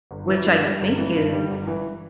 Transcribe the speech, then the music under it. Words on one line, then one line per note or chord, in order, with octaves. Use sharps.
Which I think is
G1
E3
G2
G3
G1
E3
G2
G3
G1
E3